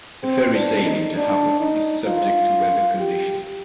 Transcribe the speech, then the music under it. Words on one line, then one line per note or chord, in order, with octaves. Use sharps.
The ferry sailing to Havelock is subject to weather conditions.
C4
D4
D#4
D4
D#4
F4
G4